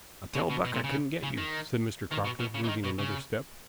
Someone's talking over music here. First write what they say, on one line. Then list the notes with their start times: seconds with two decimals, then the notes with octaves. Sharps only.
"I'll tell Buck I couldn't get you," said Mr. Crocker, moving another step.
0.35 B2
0.50 B2
0.65 B2
0.74 A#2
0.84 C#3
1.23 C#3
1.38 D#3
2.11 D#3
2.25 B2
2.40 B2
2.55 C#3
2.64 E3
2.69 D#3
2.84 B2
2.99 C#3